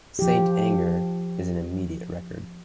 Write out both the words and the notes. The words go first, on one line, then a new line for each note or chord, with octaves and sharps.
"St. Anger" is an immediate record.
F3 G4